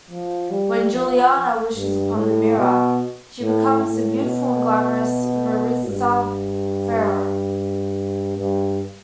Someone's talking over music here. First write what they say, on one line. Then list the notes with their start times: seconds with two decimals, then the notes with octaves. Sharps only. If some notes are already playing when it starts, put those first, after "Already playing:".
When Juliana wishes upon the mirror, she becomes the beautiful and glamorous Maritza Ferrer.
0.10 F3
0.50 G3
0.93 F3
1.75 G2
2.16 A2
2.57 B2
3.41 A2
3.83 A2
4.23 B2
5.89 G2
8.37 G2